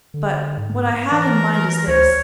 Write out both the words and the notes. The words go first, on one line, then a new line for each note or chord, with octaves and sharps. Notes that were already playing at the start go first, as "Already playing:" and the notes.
But what I have in mind is this.
D3
G#2
E3 A#4
D2 C5 C#5